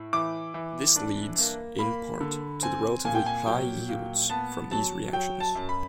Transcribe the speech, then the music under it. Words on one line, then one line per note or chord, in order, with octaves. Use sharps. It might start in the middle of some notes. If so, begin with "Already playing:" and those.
This leads, in part, to relatively high yields from these reactions.
Already playing: A2
E3 D6
E3
D4
A#3
A#3 B5
D3
C4 G#5
A#2 G#5
G5
G#5
F#3 G5
A#2
B3 A5
F#3 A5
F#3 G5
A5
F#2
B5